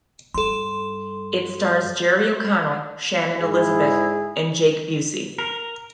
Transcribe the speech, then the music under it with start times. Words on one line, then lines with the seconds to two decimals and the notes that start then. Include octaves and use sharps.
It stars Jerry O'Connell, Shannon Elizabeth, and Jake Busey.
0.34 G2 A4 C6
3.41 G#2 E4 G#4
5.38 A#4